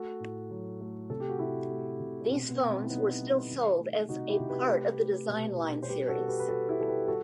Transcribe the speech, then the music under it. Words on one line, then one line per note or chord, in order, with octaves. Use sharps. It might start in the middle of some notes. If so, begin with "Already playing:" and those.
These phones were still sold as a part of the Design Line series.
Already playing: A3 F#4 A4
A2
F#3
A3
C3 A4
G4
F#4
C3 E4 G4
A3
C3
B2 C4
B3
B2
C4
E4
G3 B3 D#4
G3
D#3
A3
C3 D#4 F#4
E4 G4
C3
G4 B4
A3
A3
B2
B2
C5
G3 G4 B4
F#4 A4
G3
G4 B4
B4
G3 F#4 A4
E4 G4
G3 A4
G4 B4
G3 F#4 A4